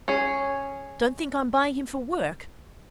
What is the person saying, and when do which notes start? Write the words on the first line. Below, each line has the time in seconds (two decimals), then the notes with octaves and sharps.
Don't think I'm buying him for work.
0.08 C#4 G#4